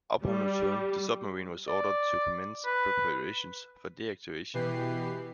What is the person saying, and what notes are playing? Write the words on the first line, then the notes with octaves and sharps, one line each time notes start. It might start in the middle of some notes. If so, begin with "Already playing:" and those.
Upon return, the submarine was ordered to commence preparations for deactivation.
G3
D5
B4
B2 E3 G4 B4 C7